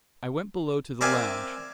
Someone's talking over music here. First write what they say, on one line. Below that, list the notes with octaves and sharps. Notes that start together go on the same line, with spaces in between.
I went below to the lounge.
C4 A#4 D5 E5 F5 G#5